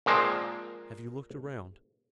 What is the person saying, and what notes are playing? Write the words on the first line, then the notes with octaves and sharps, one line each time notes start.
"Have you looked around?"
A#2 F3 G#3 A#3 C4